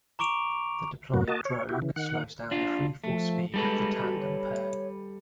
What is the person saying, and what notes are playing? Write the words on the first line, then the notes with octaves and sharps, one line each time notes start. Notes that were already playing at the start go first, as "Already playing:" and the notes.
The deployed drogue slows down the free-fall speed of the tandem pair.
A#5 C#6 D6 D7 F7
F#2 A2 C3 F#3 A#3 F#4
A#3 F#4 D#5 A5
C#5
E4 F#4 G4
C#3 E3
D#3 F#5
D4 F4
F3 A3
G3 G#3 A4 B4
F#4
C#5